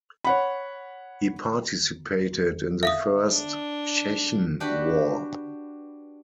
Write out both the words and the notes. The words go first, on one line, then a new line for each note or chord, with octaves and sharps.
He participated in the First Chechen War.
C#5 F#5 B5
E5 F5 D#6
D4
D4 F#4 G4 B4